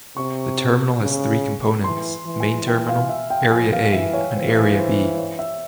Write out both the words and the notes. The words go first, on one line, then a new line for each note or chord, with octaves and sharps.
The terminal has three components, Main Terminal, Area A and Area B.
C3 C#6
C#3
E3 C6
E3
G#5
G5
F5
E5
G5
F3 G#5
F5
E3 E5
C#5
E3 C5
C5
C#5
E5